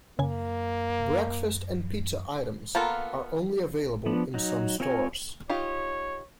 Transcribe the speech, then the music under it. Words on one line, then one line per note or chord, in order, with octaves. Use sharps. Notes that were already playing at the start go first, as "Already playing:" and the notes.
Breakfast and pizza items are only available in some stores.
F#2 C#3 A#3 G#5
A#3 B3 F4 A4 A#4
F3 B3 D4
F#3 D#4
C4 F4 A#4 C#5 G#5
D#4 F4 G4 C#5